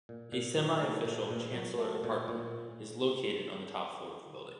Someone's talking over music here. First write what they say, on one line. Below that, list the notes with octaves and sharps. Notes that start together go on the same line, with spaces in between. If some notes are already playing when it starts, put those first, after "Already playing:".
A semi official Chancellor apartment is located on the top floor of the building.
A#2
A#2
F#3
A3
A#2
A#2
F#3
A3
A#2
A#2